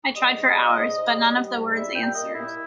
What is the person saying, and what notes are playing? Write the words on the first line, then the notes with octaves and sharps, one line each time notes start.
I tried for hours, but none of the words answered.
G3 D#5
G#2
G3
G#2
G#2
G3
G3
G#2
G3 E5
A#2 G5
A#2 D#5
A#2 E4